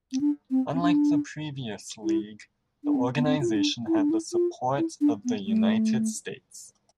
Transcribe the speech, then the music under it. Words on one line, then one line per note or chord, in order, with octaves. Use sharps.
Unlike the previous League, the organization had the support of the United States.
C4
D4
C4
C4
D4
E4
D4
C4
B3
C4
F4
E4
D4
E4
D4
E4
F4
E4
D4
B3
A3